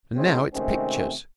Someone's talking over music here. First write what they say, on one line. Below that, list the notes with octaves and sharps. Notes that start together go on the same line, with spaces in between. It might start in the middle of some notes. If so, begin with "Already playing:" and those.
And now it's pictures.
A2 C#3 E3 G#3 C4
C3 D#3 G#3 A3 C4 C#4